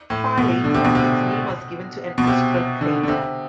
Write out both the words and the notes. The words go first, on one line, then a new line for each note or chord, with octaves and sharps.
Far later, its name was given to an asteroid crater.
A2
B2
D3
C3
B2
C3
B2
C3
C3
D3
D3
C3